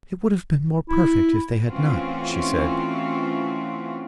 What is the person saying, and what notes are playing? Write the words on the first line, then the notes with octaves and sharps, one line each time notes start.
"It would have been more perfect if they had not," she said.
E4
E3 A3 C4 C#4 F4 F#4